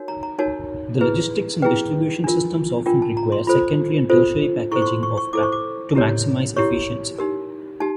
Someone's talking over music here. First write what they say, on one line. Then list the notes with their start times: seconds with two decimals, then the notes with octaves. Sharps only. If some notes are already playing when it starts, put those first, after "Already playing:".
The logistics and distribution systems often require secondary and tertiary packaging to maximize efficiency.
Already playing: D#4 F#4 A#4 C#5
0.08 A#5
0.23 A#5
0.39 D#4 F#4 A#4 C#5 A5
1.01 E4 G#4 B4
1.62 E4 G#4 B4 G5
2.24 D4 F4 A#4
2.86 D4 F4 A#4 G5
3.02 A5
3.17 A#5
3.32 C6
3.47 F4 A4 C5 B5
4.10 F4 A4 C5
4.72 E4 A4 C5 C#6
4.82 C#6
4.87 C6
5.03 C#6
5.17 C#6
5.33 E4 A4 C5 D6
5.43 C#6
5.52 D6
5.95 E4 G4 A#4 C#5
6.57 E4 G4 A#4 C#5 C#6
7.18 D#4 G4 A#4
7.80 D#4 G4 A5